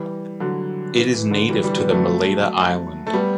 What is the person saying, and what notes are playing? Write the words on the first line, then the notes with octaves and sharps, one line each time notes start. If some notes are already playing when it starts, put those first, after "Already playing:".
It is native to the Malaita island.
Already playing: E3 G3
D3 F#3
E3
E3
D3
E3 G3
E3 G3
G3 B3
F#3 A3
A3
G3 B3